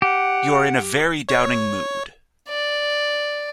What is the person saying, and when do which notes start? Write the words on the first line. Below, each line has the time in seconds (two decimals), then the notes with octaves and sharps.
You are in a very doubting mood.
0.02 G4 F#5
1.29 C#5
2.49 D5